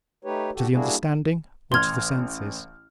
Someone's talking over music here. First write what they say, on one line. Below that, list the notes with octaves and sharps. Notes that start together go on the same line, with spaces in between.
To the understanding or to the senses?
A3 D#4 G4 B4 C#5
D3 F#4 G4 A4
G3 A#3 D4 E4 F#4 G#4
A1 C6 F6 G#6